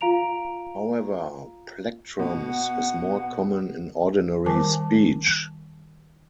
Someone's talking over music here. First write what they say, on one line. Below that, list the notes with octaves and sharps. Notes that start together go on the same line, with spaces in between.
However, "plectrums" is more common in ordinary speech.
F4 F5 A#5 D7 F7
B2 F#5
D#3 G3 A#4 G#5 A5 D6